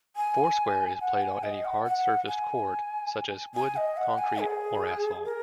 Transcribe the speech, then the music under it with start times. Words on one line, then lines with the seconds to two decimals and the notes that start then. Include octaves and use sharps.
Four square is played on any hard-surfaced court, such as wood, concrete or asphalt.
0.16 G#5
1.01 F#5
1.22 G#5
1.43 D#5
1.65 F#5
1.85 F#5
2.27 G#5
3.55 G#5
3.76 D#5
3.97 F#5
4.18 G#5
4.41 G#4
5.25 A#4